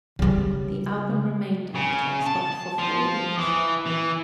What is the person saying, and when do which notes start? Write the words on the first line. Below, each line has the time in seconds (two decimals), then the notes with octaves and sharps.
The album remained at the top spot for four weeks.
0.19 C#3 G3
1.75 C#3
2.26 A5
2.78 F3
3.38 E3
3.86 E3